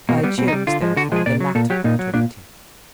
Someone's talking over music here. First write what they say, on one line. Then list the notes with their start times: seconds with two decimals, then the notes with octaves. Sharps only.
I chose, therefore, the latter alternative.
0.09 B2 A#3
0.18 C4
0.23 G3 B3
0.38 B2 C4
0.48 D#4
0.52 G3
0.67 D3 F4
0.82 F3 G#3
0.96 D3 F#4
1.12 F3 G#3 G#4
1.26 A#2 D5
1.40 F#3
1.55 A#2 A4
1.70 F#3 G4
1.84 A#2 D#4
1.99 F#3
2.14 A#2 D4